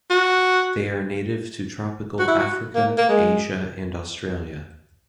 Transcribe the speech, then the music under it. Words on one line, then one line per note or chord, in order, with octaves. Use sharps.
They are native to tropical Africa, Asia and Australia.
F#4
F#4
E4
F#4
A#3
A#3
G#3